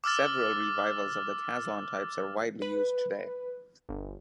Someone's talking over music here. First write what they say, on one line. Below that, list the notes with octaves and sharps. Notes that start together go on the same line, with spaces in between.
Several revivals of the Caslon types are widely used today.
D6 E6 F6 A6
B4
G1